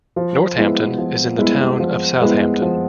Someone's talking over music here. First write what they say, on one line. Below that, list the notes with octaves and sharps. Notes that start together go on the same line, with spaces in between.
Northampton is in the Town of Southampton.
F3
G#3 B3 E4
F3
G#3 B3 E4
F3
G#3 B3 E4
F3